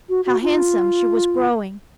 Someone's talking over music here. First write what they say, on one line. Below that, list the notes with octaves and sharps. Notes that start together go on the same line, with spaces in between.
How handsome she was growing!
F#4
F#4
F4